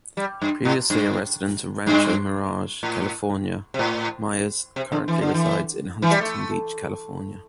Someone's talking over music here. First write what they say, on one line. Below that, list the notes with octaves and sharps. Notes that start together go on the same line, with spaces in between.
Previously a resident of Rancho Mirage, California, Meyers currently resides in Huntington Beach, California.
G3
G2
A2
G2
G2
A2
C3
A2
C3
D3
E3
D3
E3
E3
G3
A3